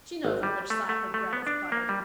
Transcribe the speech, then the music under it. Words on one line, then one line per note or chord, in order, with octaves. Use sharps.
She knows on which side her bread is buttered.
G#1
G3
A3
A3
A3
B3
D4
A#3
G3